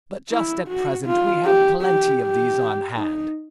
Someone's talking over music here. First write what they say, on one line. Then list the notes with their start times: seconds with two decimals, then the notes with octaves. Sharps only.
But just at present we have plenty of these on hand.
0.32 E4
0.69 F#4
1.07 F4
1.45 G4
1.83 G4
2.21 G4
2.97 D#4